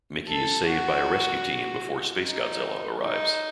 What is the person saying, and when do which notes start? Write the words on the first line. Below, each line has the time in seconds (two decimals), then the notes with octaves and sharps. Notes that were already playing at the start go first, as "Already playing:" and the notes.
Miki is saved by a rescue team before SpaceGodzilla arrives.
0.28 A4
0.67 F#4
2.25 D#4
3.04 D#4